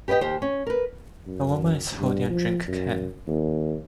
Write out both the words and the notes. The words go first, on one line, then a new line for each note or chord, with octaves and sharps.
A woman is holding a drink can.
G4 B4 D5 D#5 G5
D#2 G4 C5
C#4
A#4 B4
F#2
G2
F3
F#2
D#2